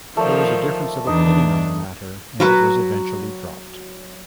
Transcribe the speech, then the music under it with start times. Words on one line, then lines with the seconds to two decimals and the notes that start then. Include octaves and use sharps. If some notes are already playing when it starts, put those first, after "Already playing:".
There was a difference of opinion on the matter and it was eventually dropped.
0.17 D#3 F3 A3 D5
1.07 E2 D4 D#4
2.40 F#3 F#4 B4